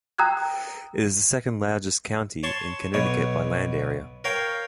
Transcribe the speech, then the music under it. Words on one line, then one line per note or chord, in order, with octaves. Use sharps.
It is the second-largest county in Connecticut by land area.
G5 A#5 D#6 E6 F#6 G#6
C#5 A5 C6 C#6
B1 B2 C#5
A#4 C#5 F5 G5